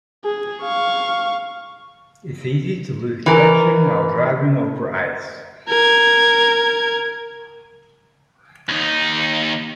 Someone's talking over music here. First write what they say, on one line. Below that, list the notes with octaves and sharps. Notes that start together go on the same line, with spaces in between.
It is easy to lose traction while driving over ice.
G#4
F5 C#6
E3 A#4
A#4 G#6
D#2 D#4